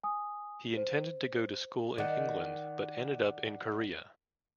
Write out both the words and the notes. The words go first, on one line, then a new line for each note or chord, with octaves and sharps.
He intended to go to school in England but ended up in Korea.
G#5 D#6
C5
D#3 D5 F#5